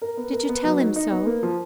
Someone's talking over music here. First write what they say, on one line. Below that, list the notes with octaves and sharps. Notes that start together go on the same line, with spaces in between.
"Did you tell him so?"
A#4
B3
A#4
B3
F#3
D#4
D#4
B3
A#3
F3